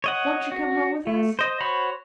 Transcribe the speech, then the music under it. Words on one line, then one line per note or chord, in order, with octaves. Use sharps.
"Won't you come home with us?"
C#5 D#5 F#5
F#4
A3
C5 D#5
F#4 C5 C#5 B5